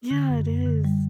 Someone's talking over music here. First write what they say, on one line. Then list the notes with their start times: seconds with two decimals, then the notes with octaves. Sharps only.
Yeah, it is.
0.11 D3
0.29 F#2
0.47 F#2
0.66 D3
0.85 G3